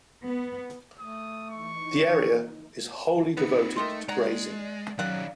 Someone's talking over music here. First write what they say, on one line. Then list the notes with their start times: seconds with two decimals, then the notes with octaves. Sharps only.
The area is wholly devoted to grazing.
0.25 B3
1.00 A3 D#6
1.50 E3 D#4 C#6
1.91 C#5
3.37 B3 C4 D#4 B4 C#7
3.76 D#3 A3 D#5 C6
4.09 G#3 D5 F#5 A#5
4.99 D#3 F#3 G3 C#4 D5 F5 F#5